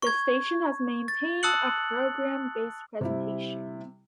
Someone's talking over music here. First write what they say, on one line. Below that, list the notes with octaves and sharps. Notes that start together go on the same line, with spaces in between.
The station has maintained a "programme based" presentation.
C#6 G#6
A6
A5 D#6 E6 F#6 C#7 F#7
C3 G3 E4